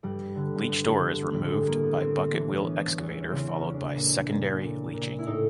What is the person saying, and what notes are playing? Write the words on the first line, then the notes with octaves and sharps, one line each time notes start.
Leached ore is removed by bucket wheel excavator followed by secondary leaching.
G2 G3
D3
G2
D3
A2 G3
G3
G#3
A2 A#3
B3
A2 C4
C4
E3 D4
C#4
E3 B3
E2
C#4
C#3 C4
C#4
E2
D4
A#2
A#2
A#2
A#2
E4
A2 D#4